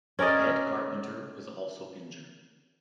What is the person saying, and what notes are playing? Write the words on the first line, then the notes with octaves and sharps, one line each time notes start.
Ed Carpenter was also injured.
C#4 A#4 D5 D#5